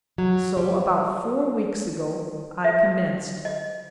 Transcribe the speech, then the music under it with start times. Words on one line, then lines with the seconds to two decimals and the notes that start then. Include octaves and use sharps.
So, about four weeks ago, I commenced.
0.18 F#3
0.57 G3
2.64 E5
3.45 D#5